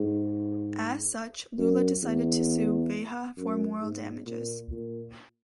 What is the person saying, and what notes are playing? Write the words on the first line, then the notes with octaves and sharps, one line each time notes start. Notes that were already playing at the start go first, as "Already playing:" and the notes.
As such, Lula decided to sue "Veja" for moral damages.
Already playing: G#2
F#2
E2
F#2
G#2
A#2
A#2